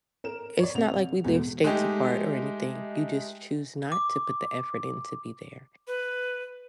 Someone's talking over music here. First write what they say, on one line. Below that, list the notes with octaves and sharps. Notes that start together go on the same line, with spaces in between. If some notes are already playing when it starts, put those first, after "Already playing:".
it's not like we live states apart or anything, you just choose not to put the effort in to be there.
A#4 E7
C#5 D5
C2 F7
E2 B2 G#3 A3
G#3 A3 D#4 G4
D6
B4